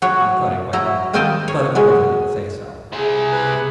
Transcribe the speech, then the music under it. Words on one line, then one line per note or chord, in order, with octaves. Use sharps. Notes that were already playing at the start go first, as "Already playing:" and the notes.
I thought it quite likely, but, of course, I didn't say so.
F#3 F#4 C#5
F#3 E4 A#5
D#3 A#3 C4 D#5 G5 A5
C#5
F#3 G#3 F#4
C3 E4 G#4
B4